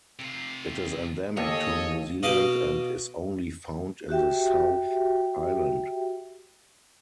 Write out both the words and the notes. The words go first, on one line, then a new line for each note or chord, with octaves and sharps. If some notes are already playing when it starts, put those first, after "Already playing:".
It is endemic to New Zealand and is only found in the South Island.
C3 F4
D#2 G#4 A4 C#5 D#5
B2 F#4 D#5 F5 D6
F#4 G4 E5 G5